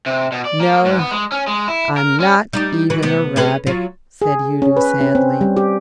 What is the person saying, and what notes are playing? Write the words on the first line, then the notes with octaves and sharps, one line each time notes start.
"No, I'm not even a rabbit," said Udo sadly.
C3
B2
D5
A#3
G#2
B3
G#3
C#4
G#3
E4
A#4
C#4
G3 D#4 G4
E3 F#4 B4
C3 B3
C#4 G#4 B4
F#3 F4
G#4
C#4
B4
C#4
C4
G3
G4